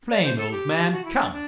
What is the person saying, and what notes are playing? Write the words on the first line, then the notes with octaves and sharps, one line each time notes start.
"Flame, old man! come!"
D5
C5
A4
G4
F#4
E4
D4
D4